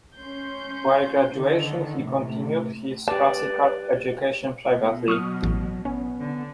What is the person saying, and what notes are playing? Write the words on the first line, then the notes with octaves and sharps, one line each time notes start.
While graduation he continued his classical education privately.
C#4 C6 G6
D3 D#3
A2 C3
G4 B4 D5 A5
B2
F#3 C#6 D#6 F6
A1
B3 C#4
D3